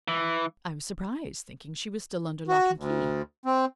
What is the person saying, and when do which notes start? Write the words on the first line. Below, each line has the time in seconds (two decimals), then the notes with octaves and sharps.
I was surprised, thinking she was still under lock and key.
0.08 E3
2.48 F#4
2.77 D2
3.46 C4